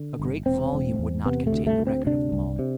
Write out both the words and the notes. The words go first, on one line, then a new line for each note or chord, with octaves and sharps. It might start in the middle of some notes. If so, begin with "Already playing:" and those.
A great volume would not contain the record of them all.
Already playing: D3
G1
E1 C4
E1
E2
C3 B3
A3
D2
A3
D2
C4
C3 D4
C2
C3